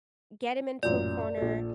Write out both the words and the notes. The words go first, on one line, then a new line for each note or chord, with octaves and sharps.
get him into a corner,
A1 F#2 A#2 D5
A#1 A4